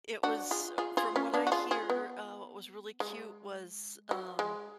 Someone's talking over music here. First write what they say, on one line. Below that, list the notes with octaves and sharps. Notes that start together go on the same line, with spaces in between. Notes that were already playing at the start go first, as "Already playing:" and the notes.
it was, uh, from what I hear, uh, what was really cute was, um,
D4 F#4
F4 G#4
F4 G#4
F4 G#4
C#4 F4
B3 D4
F#4
F4 G#4
F4 G#4
B3
G#3
F#3
G#3